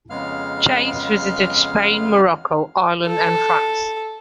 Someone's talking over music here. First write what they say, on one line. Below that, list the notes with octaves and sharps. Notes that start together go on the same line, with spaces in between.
"Chase" visited Spain, Morocco, Ireland, and France.
F2 C#3 G#3 B3 F5 F6
A4